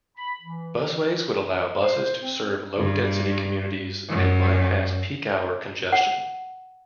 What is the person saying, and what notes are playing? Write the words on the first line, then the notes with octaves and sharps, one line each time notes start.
Busways would allow buses to serve low-density communities and bypass peak hour congestion.
B5
E3
C5
C4
G2
F#2
F#5